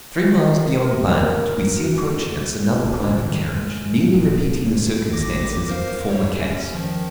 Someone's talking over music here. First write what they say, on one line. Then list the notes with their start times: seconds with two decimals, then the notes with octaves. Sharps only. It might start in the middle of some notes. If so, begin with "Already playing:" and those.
Three miles beyond Barnet, we see approaching us another private carriage, nearly repeating the circumstances of the former case.
0.24 D#3
0.83 A#4
1.75 F#4
2.84 E1 C#3 D4
3.01 A1 D2 A#2 C#3
3.21 G2 D#3
3.54 G#3
4.13 E1 A#2 F3
4.48 C2
5.13 G#1 D6 A#6
5.68 A#4 C5 F5
6.07 C2 G#2 C#5
6.40 D#2 C#4
6.73 D#3 F3